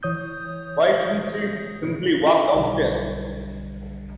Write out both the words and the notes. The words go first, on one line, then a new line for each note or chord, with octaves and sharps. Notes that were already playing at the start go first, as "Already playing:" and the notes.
Why shouldn't she simply walk downstairs?
E3 C#5 D#6 G6
B1 D3 G3